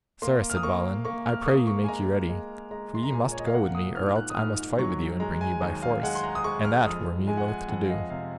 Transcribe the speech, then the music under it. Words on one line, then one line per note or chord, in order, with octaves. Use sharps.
Sir, said Balin, I pray you make you ready, for ye must go with me, or else I must fight with you and bring you by force, and that were me loath to do.
A#3 C6
F6
D#6
A#3 C#6
A#3 C#6
F6
C#6
A#3 D#6
C#6
G#5
G#3 A#5
G#3
G#3 A#5
C6
A#5
A#2 G#5
C#5
D#5
F5
A#3 F#5
D#6
G#2 F6
F#6
D#6
G#2 F6
F#3 C#6
G#3 A#5
G#5
D#2
F5
G#3 F#5
C6
A#5
D#6
G#3 C#6
F6
F2 D#6
G#3 G#5
F#5
G#5
F2 F#5
F5
D#5
C3 F5